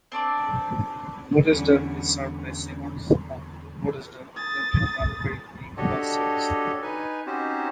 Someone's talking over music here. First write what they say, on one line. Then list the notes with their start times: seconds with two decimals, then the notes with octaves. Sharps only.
Botesdale is served by Simonds of Botesdale Limited's Country Link bus service.
0.12 C4 D4 C#5 D5
1.48 E2 D3 G3 C#4
4.36 D#6 A6
5.77 D4 F#4 G4 A4 C#5 D#5
6.82 D#4 B4 G#5
7.27 C4 C#4 D#4 F#4 G4 C5